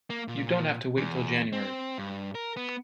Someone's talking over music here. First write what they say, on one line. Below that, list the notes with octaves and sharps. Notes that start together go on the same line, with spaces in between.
You don't have to wait till January.
A#3
A#2
E2
C4
G2
A#4
B3